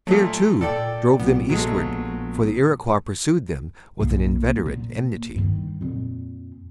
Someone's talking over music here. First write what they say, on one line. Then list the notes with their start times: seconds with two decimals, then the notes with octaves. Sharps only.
Fear, too, drove, them eastward; for the Iroquois pursued them with an inveterate enmity.
0.07 A#2 F#3 A3
0.61 A#2 A4 D5 G5
1.19 B1 A#2 B3
1.50 A#1 F#3 G#3 A3
4.00 B1 A#3
4.66 A#2
5.35 G2 D#3
5.81 F2 A#2